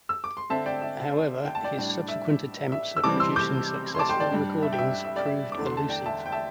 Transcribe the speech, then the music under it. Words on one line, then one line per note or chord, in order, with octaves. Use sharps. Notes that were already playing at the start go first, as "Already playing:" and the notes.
However, his subsequent attempts at producing successful recordings proved elusive.
E6
D6
C6
D3 C4 E5 A5
D5 G5
E5
G5
A5
D5 G5
A2 G3 D4
E5
E5
E6
C3 E3 G3 C4 A5 D6
C6 E6
D6 G6
C6
A5 D6
G5 C6
D5 G5
G2 G3 D4
E5
G5
E5
E5
D5 G5
E5
D6
E2 D3 A3 D4
C6
A5
D5 G5
E5 A5
G5
E5 A5